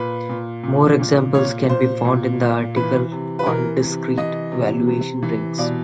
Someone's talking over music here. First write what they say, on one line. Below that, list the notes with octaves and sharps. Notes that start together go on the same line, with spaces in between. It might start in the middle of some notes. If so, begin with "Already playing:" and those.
More examples can be found in the article on discrete valuation rings.
Already playing: A#2 B4
A#2
A#2
A#2
A#2 C#5
A#2 C5
A#2
A#2
E3 B4
C3
B4
E3 A#4
C3
E3 D#5
C3
C3
E3
B2 D5